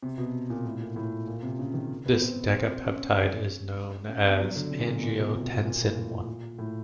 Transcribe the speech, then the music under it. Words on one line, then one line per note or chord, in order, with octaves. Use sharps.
This decapeptide is known as angiotensin I.
C3
B2
A#2
A2
A#2
A2
A#2
C3
C#3
D#3
B3
C4
C4
C4
C#4
C#4
B3
F#3
D3
C3
A#2
B2
A#2
B2
C3
B2
A#2
A2
A#2
A2